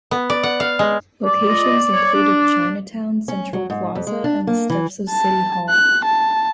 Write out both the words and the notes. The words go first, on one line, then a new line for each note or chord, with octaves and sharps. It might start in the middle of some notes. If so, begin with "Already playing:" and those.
Locations included Chinatown Central Plaza and the steps of City Hall.
B3
D5
F#5
F5
G#3
D5
F4 D#5
C#5
D4
C#4
F#3
G#2
F2
G#3
D4
A#3
E3
A5
F#6
A5